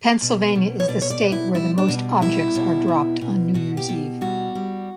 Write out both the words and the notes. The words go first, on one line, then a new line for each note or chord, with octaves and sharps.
Pennsylvania is the state where the most objects are dropped on New Year's Eve.
B2
B2
C#5
B2 D5
C#5
D5
B2
E4
G3 E4
D4
B2
G3 E4
B2
B2
B2
B2 F#4
G4
B2
G3 F#4
G3